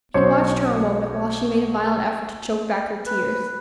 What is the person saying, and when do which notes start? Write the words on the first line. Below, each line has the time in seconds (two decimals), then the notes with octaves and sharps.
He watched her a moment while she made a violent effort to choke back her tears.
0.14 B1 C5 C#5 C#6
3.06 B4